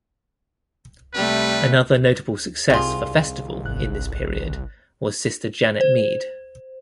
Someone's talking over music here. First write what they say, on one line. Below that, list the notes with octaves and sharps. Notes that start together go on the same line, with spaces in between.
Another notable success for Festival in this period was Sister Janet Mead.
C3 G3 A3 B4
C2 C3 D#3 F4 G#4 D5
G#1 F#6
C5